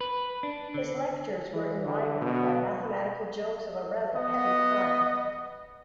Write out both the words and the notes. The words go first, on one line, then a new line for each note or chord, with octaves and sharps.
His lectures were enlivened by mathematical jokes of a rather heavy kind.
B4
D4
D3
E3
D3
B2
B3 D#5